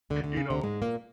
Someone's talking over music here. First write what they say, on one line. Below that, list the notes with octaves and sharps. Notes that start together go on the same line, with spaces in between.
you know
D2 D3
D2 D3
C#3
D2 D3
G#2 G#3
A#2 A#3